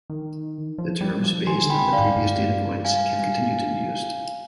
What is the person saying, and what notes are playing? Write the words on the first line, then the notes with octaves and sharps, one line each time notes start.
The terms based on the previous data points can continue to be used.
D#3
F3
G3
F3
D#3 G#5 C6
D3
G5 B5
C3
D5 F5
G#2
G2
F5 G#5